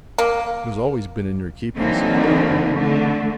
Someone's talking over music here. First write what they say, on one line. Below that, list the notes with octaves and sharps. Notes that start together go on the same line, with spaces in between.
"It has always been in your keeping," said the Doctor.
A#3
D3 E3 F#3 A#3 C4 D#4
D3 A3